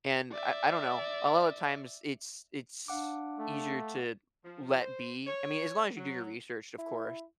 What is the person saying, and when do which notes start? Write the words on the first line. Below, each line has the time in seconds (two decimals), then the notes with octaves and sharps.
And I I don't know, a lot of the times, it's it's easier to let be I mean, as long as you do your research, of course.
0.32 D5 E5
2.88 D4 F5 F#5 D6
3.39 A3
4.44 F3
4.80 C5
5.27 C#5
5.97 F#3
6.78 E4